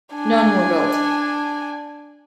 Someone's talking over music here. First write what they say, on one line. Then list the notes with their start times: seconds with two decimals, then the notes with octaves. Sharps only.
None were built.
0.14 D4 G#5